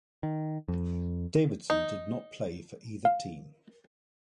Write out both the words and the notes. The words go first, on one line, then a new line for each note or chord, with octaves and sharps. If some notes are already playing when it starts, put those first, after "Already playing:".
Davidson did not play for either team.
D#3
F2
D#4
F5